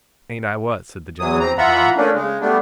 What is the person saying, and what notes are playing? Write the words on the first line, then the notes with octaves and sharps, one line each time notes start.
'Ain't I what?' said the gentleman behind.
E2 E3 F#3 D#6
C4 A#5
E3 F4 E5 F#5 A#5 B5
A3 A#3 C#4 D4
C#3 G#3
G3 A3 B3 D4